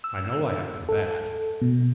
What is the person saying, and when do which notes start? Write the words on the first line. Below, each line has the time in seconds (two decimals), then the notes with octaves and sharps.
I know I have been bad.
0.04 E6
0.89 A4
1.62 B2